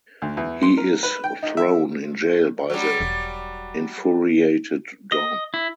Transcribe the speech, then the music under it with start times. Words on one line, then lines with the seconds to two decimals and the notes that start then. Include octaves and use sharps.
He is thrown in jail by the infuriated Don.
0.22 D2
0.37 E2
0.63 C6
0.77 A#4
1.03 B4
1.24 G5
1.43 D#4
1.57 E5
2.70 F#3 G3
3.00 E1
5.12 D#5
5.54 E4